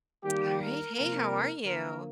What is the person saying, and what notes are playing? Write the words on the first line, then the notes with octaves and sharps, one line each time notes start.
All right. Hey, how are you?
D#3 G3 A#3 G4
A#4
C3 F3 A#3 A#4
D3 F3 A#3 A#4